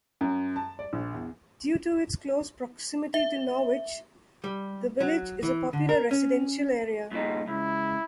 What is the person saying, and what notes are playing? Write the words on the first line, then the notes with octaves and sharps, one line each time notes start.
Due to its close proximity to Norwich, the village is a popular residential area.
F#2
A5
D5
A#1
E2
E5
G3
F#3
E3
D3
A#4
C#4
G2 A#2 D#4
C#2 E4